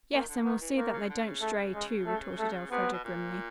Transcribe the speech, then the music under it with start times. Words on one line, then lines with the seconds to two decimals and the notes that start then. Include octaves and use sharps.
"Yes, and we'll see that they don't stray, too," retorted Elfreda grimly.
0.13 D#3 A#3
0.28 D3
0.45 D#3 B3
0.61 E3
0.77 D#3 A#3
0.93 C#3
1.10 D3
1.26 C#3
1.41 A3
1.75 G#3
2.07 A3
2.39 A3
2.71 C3 B3
2.93 B2
3.04 A#2